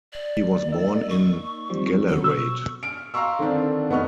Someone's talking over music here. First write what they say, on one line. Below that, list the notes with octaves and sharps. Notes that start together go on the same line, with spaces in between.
He was born in Gallarate.
D5
A#3 D#4 E6
C#6
F3 G3 C4
C#3 F#3 B3 A4
B2 C#6 E6
F6 D7
F5 A#5 C6 C#6 E6
D3 D#3 C4 D4
F1 B3 D#5 C#6 F6